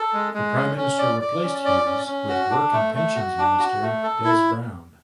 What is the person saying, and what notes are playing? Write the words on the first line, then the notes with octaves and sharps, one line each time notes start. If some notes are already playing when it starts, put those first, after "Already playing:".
The prime minister replaced Hughes with Work and Pensions Minister Des Browne.
Already playing: A4
G#3
G#3
C#4
C#4
D5
D5
C#4
D5
C#4
C#4
F#4
D4
A3
A3
F#4
D4
F#4
A3
A4
E4